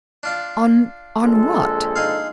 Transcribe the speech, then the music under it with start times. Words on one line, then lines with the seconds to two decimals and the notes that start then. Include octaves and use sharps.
"On--on what?"
0.23 D4 F4 D5
1.24 A#1 G#3 A4
1.96 D#4 G#4 F5